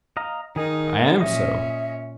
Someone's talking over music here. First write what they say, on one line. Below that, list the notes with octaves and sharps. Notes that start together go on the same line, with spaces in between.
I am so.
D#5 F5 A#5
D#3 D#4 G#4 A#4
A#2 C#4 D#5 E5